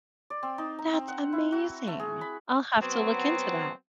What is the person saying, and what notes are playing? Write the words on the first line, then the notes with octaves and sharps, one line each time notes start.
That's amazing, I'll have to look into that.
D5
C4
D#4
A#5
C4
F#5
E4
F#4
A3
G#4
B5
F#3 B3 C4